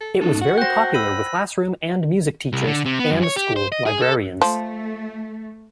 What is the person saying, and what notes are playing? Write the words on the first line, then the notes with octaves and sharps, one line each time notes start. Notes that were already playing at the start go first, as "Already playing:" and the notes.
It was very popular with classroom and music teachers and school librarians.
A4
C#4 D#4 A4
F#4 F#5
C5 G5 F#6 A#6
B5 E6 D#7
C2
D3
C3
B3
F#2
C#5
G4
C5
D#5
G#4
A4
F3 A3